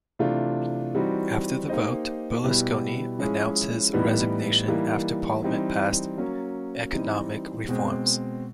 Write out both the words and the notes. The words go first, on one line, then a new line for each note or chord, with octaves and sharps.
After the vote, Berlusconi announced his resignation after Parliament passed economic reforms.
C3 E3 A3 D4 F4
E3 G3 C4 D#4 F#4
A#3 D#4 G4 C5 D#5
B2 G3 B3 E4 G4
F3 G#3 C#4 E4 G#4
A2 E3 G3 B3 D#4
E3 G3 A#3 D#4
E3 G3 C4 D#4
F#3 A#3 C#4
E3 G3 C4 D#4
B2 G#3 C4